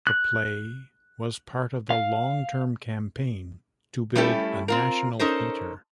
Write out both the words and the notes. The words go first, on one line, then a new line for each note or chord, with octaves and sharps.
The play was part of the long-term campaign to build a National Theatre.
F#6
F5
G3 A3 C#4 E4 G4 A4
C4 F4 A#4
C#4 D#4 A4 A#4 C5